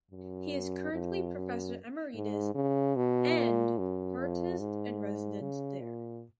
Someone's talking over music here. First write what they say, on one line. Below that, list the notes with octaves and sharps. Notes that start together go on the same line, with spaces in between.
He is currently Professor Emeritus and Artist in Residence there.
F#2
F2
F#2
G#2
C#3
B2
A#2
F#2
F2
G#2
C#3
A#2